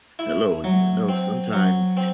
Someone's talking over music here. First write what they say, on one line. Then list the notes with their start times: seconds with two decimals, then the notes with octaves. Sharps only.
Hello, you know, sometimes,
0.19 E4
0.64 F#3
1.09 C4
1.53 F#3
1.97 C4